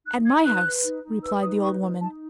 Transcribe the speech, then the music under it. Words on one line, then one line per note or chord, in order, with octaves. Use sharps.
"At my house," replied the old woman.
D#4 F#6
D#4 G#6
B4 F#6
B4
D#4
D#4
B4 E6
D#4 D#6
B4 C#6
D#4
D#4 A5